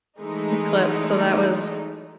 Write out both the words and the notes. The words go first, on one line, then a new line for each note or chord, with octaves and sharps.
eclipse, so that was
E3 G#3 A3 D#4